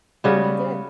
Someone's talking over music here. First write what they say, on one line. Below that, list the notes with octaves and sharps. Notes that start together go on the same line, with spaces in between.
They did.
C#3 G3 B3 F#4